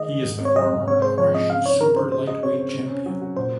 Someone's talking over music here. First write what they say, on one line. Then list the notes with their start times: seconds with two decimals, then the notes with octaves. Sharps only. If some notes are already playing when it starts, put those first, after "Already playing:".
He is the former Krush Super Lightweight champion.
Already playing: D#3 G#3 D#4 D#5
0.09 G#4
0.24 G#2
0.40 C4
0.45 C#5
0.56 F#3 D#5
0.72 G#2
0.87 C3 C#5
1.02 G#3 C5
1.18 F3 C#5
1.33 C4 D#5
1.50 C#3 F5
1.66 D#4 C#5
1.80 G#3 A#4
1.96 C#3 C5
2.11 G#3 C5
2.27 F#4 D#5
2.43 C4 C#5
2.59 C5
2.74 C3
2.90 C#4
3.06 F#3
3.21 F#4
3.36 A#2 C5